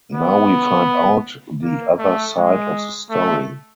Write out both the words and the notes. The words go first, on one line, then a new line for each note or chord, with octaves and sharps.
Now we find out the other side of the story.
B3
A#3
A3
G#3
A3